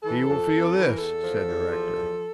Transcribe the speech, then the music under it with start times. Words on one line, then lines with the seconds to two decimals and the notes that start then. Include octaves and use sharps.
"He will feel this," said the rector.
0.03 E3 A4
0.27 F2
0.50 F2
0.75 E3
0.86 A#4
0.98 E2 A4
1.23 F3
1.47 E2
1.70 F3
1.94 E2